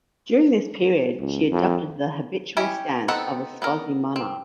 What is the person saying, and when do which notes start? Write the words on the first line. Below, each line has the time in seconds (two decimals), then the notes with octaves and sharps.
During this period she adopted the habitual stance of a Swazi monarch.
1.19 C#2
1.52 F2
2.57 C#4 E4 G4 D#5 G#5
3.08 B3 C4 D#4 A4 F#5
3.62 B3 A4 A#4
4.16 C4